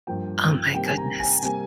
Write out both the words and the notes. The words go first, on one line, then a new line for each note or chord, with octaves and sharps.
Oh my goodness.
G2 F3 A#3 G5
C3 D#3 G3 A#3 G5
G#5
A#5
G#5
C3 G3 A#3 G#5